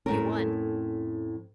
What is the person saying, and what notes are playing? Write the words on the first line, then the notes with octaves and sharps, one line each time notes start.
You won.
F2 A2 C#4 A#4